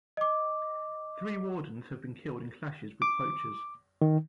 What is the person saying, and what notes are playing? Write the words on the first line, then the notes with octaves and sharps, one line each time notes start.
Three wardens have been killed in clashes with poachers.
D#5 D6
D6
D#3